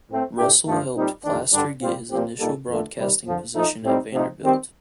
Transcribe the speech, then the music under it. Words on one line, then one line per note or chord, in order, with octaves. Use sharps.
Russell helped Plaster get his initial broadcasting position at Vanderbilt.
A2 A3 C4
A2 A3 D4 G4
G2 F3 A3 D4 A4
A#2 G3 C4 D#4
F2 C3 D#3 A3 D4
G2 D3 G3 D4
A#2 G3 C4 F4
A#2 F3 C4 G4
A#2 G3 A#3 D#4 A4
F2 D3 A3
C3 D#3 G3
F2 D3 F3
F3 A3 D#4
A2 G3 C4 D#4
C3 F3 C4 D#4
D#3 G3 C4 G4